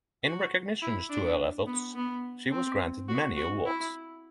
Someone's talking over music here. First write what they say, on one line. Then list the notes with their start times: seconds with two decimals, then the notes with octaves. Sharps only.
In recognition to her efforts, she was granted many awards.
0.24 F#4
0.82 E4
1.10 D4
1.67 B3
1.96 B3
2.51 C4
3.09 F#4
3.37 F#4
3.66 E4